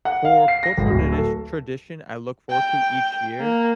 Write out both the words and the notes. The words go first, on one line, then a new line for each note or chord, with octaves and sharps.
For cultural the dish tradition I look forward to each year,
F#5
F5
C7
A#6
G#1
D1
A4
G5
A#3